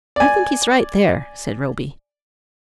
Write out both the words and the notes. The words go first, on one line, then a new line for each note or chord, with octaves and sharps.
"I think he's right there," said Roby.
D5 G#5